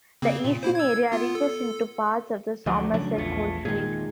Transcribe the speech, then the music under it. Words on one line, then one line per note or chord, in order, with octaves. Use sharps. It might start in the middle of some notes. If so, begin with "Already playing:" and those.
The eastern area reaches into parts of the Somerset Coalfield.
C#3 A#3 C4
A#2
A#3 E4 C5
E6 G#6
B3 F4
A4
D2 F3 F#3 A3 D5
C#3 F#3 D4
A#1 E2 A3 F4
A#2 D#3 G#3 G#4